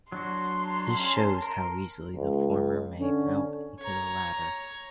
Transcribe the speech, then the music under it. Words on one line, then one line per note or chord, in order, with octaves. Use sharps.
This shows how easily the former may melt into the latter.
F#3 D4 F#4 C6
A5 A#5
C#4
A#4
C#2
D3 C#4
C#5 A#5